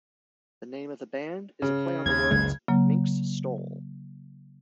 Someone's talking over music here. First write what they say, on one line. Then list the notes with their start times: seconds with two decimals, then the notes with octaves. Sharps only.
The name of the band is a play on the words "minks stole".
1.62 C#3
2.06 D#2 G#6
2.31 F#1 C#2 G#3
2.68 C#3 F#3 A#3